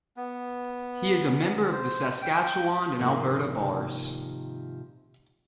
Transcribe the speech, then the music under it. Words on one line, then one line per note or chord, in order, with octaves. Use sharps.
He is a member of the Saskatchewan and Alberta Bars.
B3
C5
G5
G#2 C3 D#3 F3 A#3